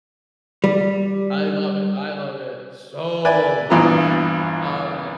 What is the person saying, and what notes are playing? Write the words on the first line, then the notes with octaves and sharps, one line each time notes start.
I love it I love it so much, um
G3
B4 D5 E5 G#5
A#1 E2 G2 E3 F3 A#5